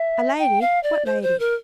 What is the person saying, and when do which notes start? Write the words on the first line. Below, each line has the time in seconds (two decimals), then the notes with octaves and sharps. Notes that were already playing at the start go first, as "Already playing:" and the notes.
"A lady--what lady?"
Already playing: E5
0.39 G5
0.61 F5
0.83 D5
1.06 C5
1.23 C5
1.40 A#4